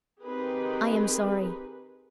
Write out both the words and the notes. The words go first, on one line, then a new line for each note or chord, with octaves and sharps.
I am sorry.
D#3 C4 D#4 G4 G#4 B4